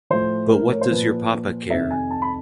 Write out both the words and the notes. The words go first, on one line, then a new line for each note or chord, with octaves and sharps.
But what does your papa care!
A2 F3 C5
A#4
C#5
C5
A#2 F3 B4
F2 C3 D#3 E5
G#5
A5
B5